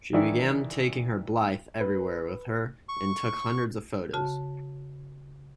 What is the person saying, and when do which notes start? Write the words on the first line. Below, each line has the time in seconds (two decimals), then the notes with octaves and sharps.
She began taking her Blythe everywhere with her and took hundreds of photos.
0.13 D#3 E3 D4 E4
1.80 B4
2.89 C#6
4.13 C#3 F#4 A5